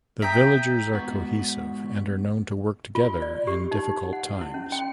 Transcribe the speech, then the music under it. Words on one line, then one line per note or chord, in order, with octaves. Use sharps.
The villagers are cohesive and are known to work together in difficult times.
E5 G5 A#5 D#6 B6
G#2 B3 F#4
F4
D5
G4
D#4
F#5
E4
C#4
G5